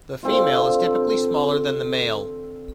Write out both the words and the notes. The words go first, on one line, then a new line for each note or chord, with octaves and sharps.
The female is typically smaller than the male.
D3 C4 F4